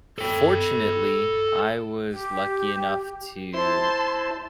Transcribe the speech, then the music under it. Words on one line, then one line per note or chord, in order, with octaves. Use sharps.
fortunately, I was lucky enough to
A4 G5
G4
E4 C5 A5 C6